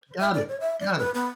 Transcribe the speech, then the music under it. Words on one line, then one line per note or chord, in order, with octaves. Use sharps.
Got it, got it.
E5
D5
C#5
E5
D5
B4
B3